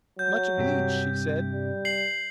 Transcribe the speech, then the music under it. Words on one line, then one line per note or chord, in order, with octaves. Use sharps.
"Much obleeged," she said.
F#3 G6
G2 C3 G4
G3
C7 F#7